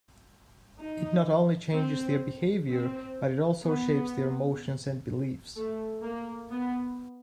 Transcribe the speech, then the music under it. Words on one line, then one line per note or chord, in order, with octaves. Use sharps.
It not only changes their behavior, but it also shapes their emotions and beliefs.
D#4
C4
C4
B3
A3
A#3
B3